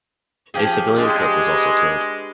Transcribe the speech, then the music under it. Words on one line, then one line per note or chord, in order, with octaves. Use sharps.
A civilian cook was also killed.
F3 G4 G#4
G#3 D4 G4
B4